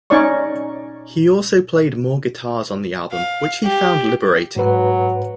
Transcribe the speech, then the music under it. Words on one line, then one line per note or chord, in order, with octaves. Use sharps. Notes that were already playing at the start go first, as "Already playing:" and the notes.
He also played more guitars on the album, which he found liberating.
C#4 D#4 C#5 D5 C#6
F5
G4
G#2 F#3 B4